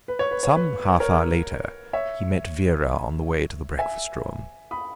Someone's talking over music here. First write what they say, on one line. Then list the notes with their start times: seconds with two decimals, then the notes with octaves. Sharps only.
Some half-hour later he met Vera on the way to the breakfast-room.
0.08 B4
0.19 C#5
0.31 B4
0.43 C#5
0.56 B4
1.00 A#4 C#5
1.93 C#5 E5
3.79 E5 G#5
4.71 B5 D#6